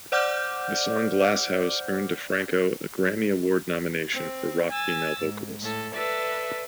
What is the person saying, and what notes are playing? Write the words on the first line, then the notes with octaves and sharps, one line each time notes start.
The song "Glass House" earned DiFranco a Grammy Award nomination for Rock Female Vocalist.
C5 D5 F#5 D6 F6 G6
C4
G#5 E6 A6
G#2
A2 A4
A4 B4 D5 E5